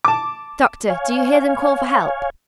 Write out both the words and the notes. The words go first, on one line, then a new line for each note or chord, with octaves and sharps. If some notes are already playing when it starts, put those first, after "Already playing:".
"Doctor, do you hear them call for help?"
A5 D6
C#5 F5 G#5